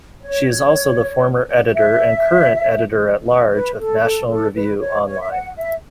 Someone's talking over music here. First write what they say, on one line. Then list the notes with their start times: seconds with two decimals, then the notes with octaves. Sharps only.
She is also the former editor and current editor-at-large of "National Review Online".
0.22 C#5
1.75 E5
3.53 B4
3.79 A4
4.04 A4
4.30 A4
4.55 B4
4.80 C#5
5.06 C#5
5.20 E5
5.31 F#5
5.57 E5